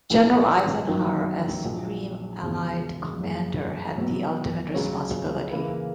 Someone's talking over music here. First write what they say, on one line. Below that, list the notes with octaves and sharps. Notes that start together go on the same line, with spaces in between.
General Eisenhower, as Supreme Allied Commander, had the ultimate responsibility.
A#1 A#2 A#3 E4 B4
F#2 D#3 F#3 A#3
A#1 A#2 F#3
E1 E2 C#3
F#1 F#2 C#3
B2 F#3 B3
C#2 C#3 F#3 C#4
C#3 E3 A#3 E4 B4